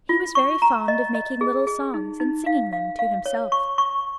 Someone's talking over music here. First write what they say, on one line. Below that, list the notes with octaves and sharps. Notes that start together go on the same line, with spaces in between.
He was very fond of making little songs, and singing them to himself.
F4
C#6
A#5
D#5
D#5
G#4
G#4
D#4
D#4
F5
F5
F5
C#5
C#6
C#6